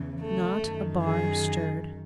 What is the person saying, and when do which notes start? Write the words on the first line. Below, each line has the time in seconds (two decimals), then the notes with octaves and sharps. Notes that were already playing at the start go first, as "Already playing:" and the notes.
Not a bar stirred.
Already playing: E2 C#3 E3
0.20 A3
0.62 F#2 D#3
1.04 G#4